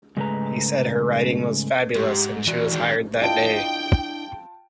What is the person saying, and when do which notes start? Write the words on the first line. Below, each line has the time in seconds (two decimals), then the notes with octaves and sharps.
He said her writing was fabulous', and she was hired that day.
0.17 G#2 C#3 G#3 A3 B4 A#5
1.95 G#2 G4
2.47 E3 F#4 D5
2.72 D#3 G#3
3.21 D4 E4 F4 D#5 G5 A5 D7